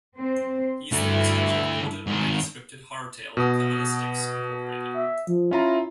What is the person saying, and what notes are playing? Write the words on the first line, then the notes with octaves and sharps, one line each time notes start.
He is the illustrator of Gordon Rennie-scripted horror tale Caballistics, Inc..
C4 C5
G2 D3 A3 E4
G#2 D#3
B2 D#6
E5
F3
C#4 E4 F4 A#5